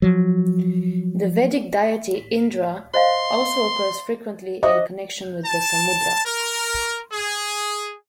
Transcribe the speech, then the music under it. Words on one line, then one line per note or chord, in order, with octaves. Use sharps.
The Vedic deity Indra also occurs frequently in connection with the Samudra.
F3 F#3
C5 D#5 F5 C6
F#4 C5 D#5 E5 D6
A5
A#4
G#4